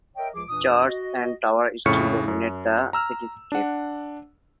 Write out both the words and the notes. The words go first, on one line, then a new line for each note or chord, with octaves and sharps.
Church and tower still dominate the cityscape.
A#4 C#5 D#5 E5 G5
C#2 F3 G#4 D6
E2 A#2 E3 D4 D#6
F#4 D#5
F2 A2 C#3 C#6 F6 C#7
F#2
A#5 E6 F6
D4 F#5